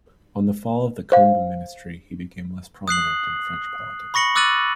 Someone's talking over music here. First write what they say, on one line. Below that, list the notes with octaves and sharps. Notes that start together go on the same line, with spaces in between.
On the fall of the Combes ministry he became less prominent in French politics.
C5 F5
D#6 F#6 C7 F#7
B5 C#6 A#6 C#7 F#7
D6 E6 F#6 A6 D#7 F#7